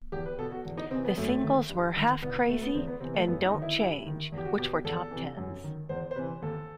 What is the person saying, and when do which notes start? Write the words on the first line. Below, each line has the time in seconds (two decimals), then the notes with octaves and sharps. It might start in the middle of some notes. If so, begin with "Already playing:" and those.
The singles were "Halfcrazy" and "Dontchange", which were top tens.
0.12 E2 G4
0.26 B4
0.38 B2 A4
0.52 F#4
0.65 E2
0.77 D#4
0.91 C3 E3 C4
1.05 B3
1.17 F#2 A3
1.43 D#3
1.69 G2
1.96 D#3
2.22 C2 B3
2.48 B2 A3
2.61 B3
2.74 E2 C4
2.87 B3
3.00 C3 E3 C4
3.14 A3
3.27 F#2 B3
3.45 D#4
3.54 D#3
3.62 E4
3.80 G2
4.06 D#3
4.32 E2
4.38 G4
4.45 F#4
4.58 B2 G4
4.84 E2 A4
5.11 C3 E3
5.37 F#2
5.64 D#3
5.89 E2 C5
6.11 C5
6.15 C3 E3 B4
6.42 D#2 A4